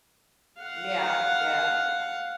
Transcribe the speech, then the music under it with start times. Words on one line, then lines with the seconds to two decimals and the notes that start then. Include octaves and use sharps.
Yeah, yeah.
0.61 F5 F#5